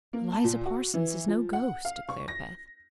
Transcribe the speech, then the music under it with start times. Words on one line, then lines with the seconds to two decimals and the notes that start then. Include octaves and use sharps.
"Eliza Parsons is no ghost," declared Beth.
0.13 A#3
0.32 A5
0.44 A#2
0.66 F#4
0.94 E3
1.28 F3
1.53 F#5
1.85 F5
2.09 C#6
2.28 A#6